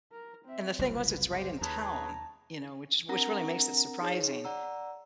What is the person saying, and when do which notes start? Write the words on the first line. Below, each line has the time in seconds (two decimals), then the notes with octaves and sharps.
and the thing was it's right in town, you know, which which really makes it surprising,
0.12 A#4
0.45 C4 E5
0.79 F#1 C2 F#2 F4 B4
1.30 G#2 G4 C5
1.61 D#2 G#4 B4 C#5 A5 A#5
3.09 C4 D4 A#4 F#5 A#5 A#6
4.01 D#4 G#4 C#5
4.45 D5 F#5 A#5 E6